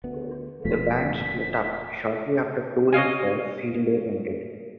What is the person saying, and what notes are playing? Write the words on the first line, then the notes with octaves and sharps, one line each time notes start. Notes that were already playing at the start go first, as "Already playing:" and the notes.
The band split up shortly after touring for "Field Day" ended.
D2 B3
E1 B2 F3 A3 B6
C#5 D#5 F5 G#5